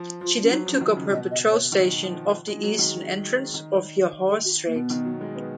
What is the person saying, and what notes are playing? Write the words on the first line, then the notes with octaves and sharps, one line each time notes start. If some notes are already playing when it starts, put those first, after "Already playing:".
She then took up her patrol station off the eastern entrance of Johore Strait.
Already playing: F3
F3 F4
C#4
F#3 D#4
F3
C#4
D#3
C#3
B2 D#5
D#5
C#5
D#3
F3
G#3
F#3
D#3
D#3
G#4
F#4
A#3
B2 B3
D#3
F#3
G#3
B3